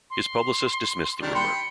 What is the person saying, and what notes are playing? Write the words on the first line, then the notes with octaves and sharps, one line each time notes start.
His publicist dismissed the rumor.
C6
D#3 G3 D4
G5 B5 C6 C#7